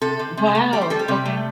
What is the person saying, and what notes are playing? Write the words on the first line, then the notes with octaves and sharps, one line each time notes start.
Wow, okay.
C3 A4
C3
C3
A3
G3 G4
C5
G3 A4
G4
C3
A3